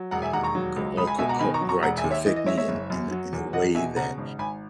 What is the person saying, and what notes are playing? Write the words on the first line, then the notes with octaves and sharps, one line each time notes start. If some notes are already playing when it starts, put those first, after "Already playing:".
uh, go all co co right to affect me in in a in a way that
Already playing: F#3
E1 F#5 A#5
E5 G#5
D#2 F#5 A#5
A#5 C#6
F#3
C#2
C#2 B5 D#6
G#5 B5
B2 E5 G#5
F#5 A#5
D#3 G#5 B5
A#5 C#6
F#3
A#5 C#6
E1 F#5 A#5
E5 G#5
D#2
C#5 E5
E3 D#5
D#5
G#3 C#5 E5
C#5 E5
F#1
F#2
F#3
E2
E2 D#5 F#5
B2 E5 G#5
C#3 F#5 A#5
G#1
G#1 G#5 B5